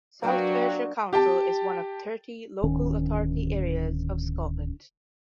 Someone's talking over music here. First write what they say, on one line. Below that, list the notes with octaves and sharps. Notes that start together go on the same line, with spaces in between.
South Ayrshire Council is one of thirty local authority areas of Scotland.
F#3 A#3 D4 F#4 B4 C5 F5 G5
G4 G5 A5
D1 D#3 C#4